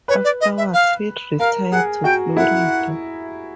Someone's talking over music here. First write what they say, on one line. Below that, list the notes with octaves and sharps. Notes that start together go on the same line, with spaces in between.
Afterwards, he retired to Florida.
B4 C#5
D5
D#5
E5
F5
A#4 F5
G#4 F#5
F#4 G5
E4 F#5